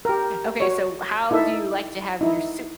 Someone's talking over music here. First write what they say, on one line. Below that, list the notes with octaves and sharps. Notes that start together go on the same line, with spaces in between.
Okay, so how do you like to have your soup,
G4 A#4
F#4 C#5
D#4 E4 A4 E5
D#4 E4